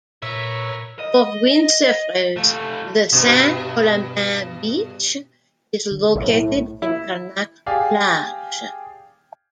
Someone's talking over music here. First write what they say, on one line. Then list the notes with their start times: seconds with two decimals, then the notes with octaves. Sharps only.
For windsurfers, the Saint-Colomban beach is located in Carnac-Plage.
0.22 A#2 A#4 B4 C#5 E5 C#6 E6
0.99 D#5
2.36 F3 A3
3.12 G2 B2
5.91 D3
6.15 B1 A2
6.82 E4
7.66 G4 G#4 D5 F5